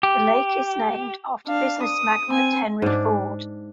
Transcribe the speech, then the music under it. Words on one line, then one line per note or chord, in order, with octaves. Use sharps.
The lake is named after business magnate Henry Ford.
G4
D4 F5
D#6
C4 G#5
G#2 D4